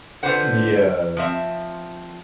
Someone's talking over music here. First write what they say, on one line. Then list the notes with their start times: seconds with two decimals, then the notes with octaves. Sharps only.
M yeah.
0.23 D3 F4 B4 C5 F#5
1.17 F3 C4 E5